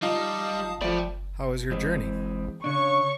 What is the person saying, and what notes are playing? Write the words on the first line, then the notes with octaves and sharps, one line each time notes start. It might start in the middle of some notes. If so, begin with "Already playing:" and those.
How was your journey?
G3 D#4 F4 F5 A5 D#6
F3 A3 D5 G5 B5
E3 G#3 C4
C#3 D4 C#5 C#6